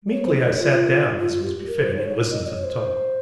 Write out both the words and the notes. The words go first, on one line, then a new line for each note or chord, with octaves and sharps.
Meekly I sat down, as was befitting, and listened to the talk.
C#5
C5
C5
C#5
F4
F4
F4
F4
F4
G4
A#4
C5
C#5
C5
C#5
D#5
C#5
C5